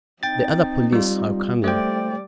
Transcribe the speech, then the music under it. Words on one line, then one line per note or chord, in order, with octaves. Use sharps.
The other police are coming.
C4 D#4 G5 A6
G3 F4
G3 A3 C5 D5 G5